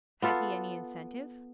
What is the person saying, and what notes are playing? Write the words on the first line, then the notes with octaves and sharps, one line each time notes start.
Had he any incentive?
B3 F4 A4